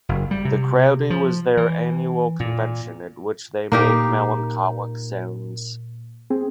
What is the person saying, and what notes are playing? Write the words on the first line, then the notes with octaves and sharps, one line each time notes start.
The Crowdie was their annual convention, at which they made melancholic sounds.
F#1
G3
C3
F3
E3
A#2
A#2 A#3 D#4 G4
C4 G#4